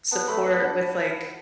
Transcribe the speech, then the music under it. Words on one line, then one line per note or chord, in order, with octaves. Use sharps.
support with, like
B3 A5
A3 B5
B3 A5
D4 F#5